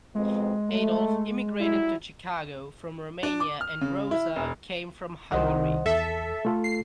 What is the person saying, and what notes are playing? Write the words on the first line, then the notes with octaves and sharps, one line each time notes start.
Adolph immigrated to Chicago from Romania and Rosa came from Hungary.
F2 B2 G#3 C4
A3
F#3 G3 E4
D4
D6
F6
C#3
E4
E1
C2 D#3 C5 D#5 F#5
E2 A4 E5
A3 F4 A4
C7